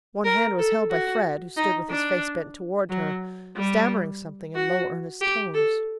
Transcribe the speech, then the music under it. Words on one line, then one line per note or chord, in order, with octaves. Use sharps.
One hand was held by Fred, who stood with his face bent toward her, stammering something in low earnest tones.
A#4
A4
F#4
D#4
D4
F#3
G3
F#4
G4
A4